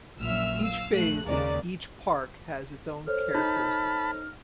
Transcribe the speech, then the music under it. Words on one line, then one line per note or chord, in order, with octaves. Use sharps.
Each phase and each park has its own characteristics.
A#1 F#2 A#2 E5 E6 F6
F5 E6
A#1 A3 F#6
D#2 C#3 G#3 A#3 D5
A4 C5 C#5 F6
D#4 A5 B5